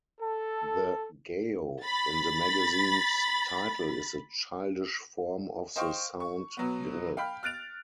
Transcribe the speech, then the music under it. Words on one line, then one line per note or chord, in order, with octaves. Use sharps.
The "Gao" in the magazine's title is a childish form of the sound "Grr".
A4
B5 A6
C5 D#5 F5 G5 C#6
C#6
B2 F#3 B3
F5 G5 B5 F6
F6 F#6 A6 D7 F7